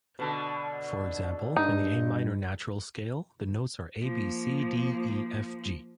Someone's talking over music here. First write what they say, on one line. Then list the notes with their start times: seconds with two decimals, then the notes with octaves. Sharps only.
For example, in the "A minor natural scale", the notes are A-B-C-D-E-F-G.
0.19 B2 D3
1.56 G2 D#4
4.02 F3 A#3